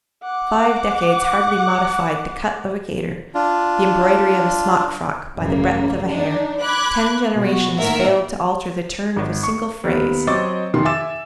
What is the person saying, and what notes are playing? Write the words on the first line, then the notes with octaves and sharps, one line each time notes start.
Five decades hardly modified the cut of a gaiter, the embroidery of a smock-frock, by the breadth of a hair. Ten generations failed to alter the turn of a single phrase.
F#5 D6
D4 F4
A1 F#2 C#3 A#3
D4 D#4
B5 D6 F#6 G#6
B2 F#3 F#4
A2 D#3 A#3 A#4 E5 F#5
G#1
C#6
D#2 B3
F#3 C4 D#5 C#6 D6 A6
F1 D#3 C6
E5 G#5 D6 E6 A6 E7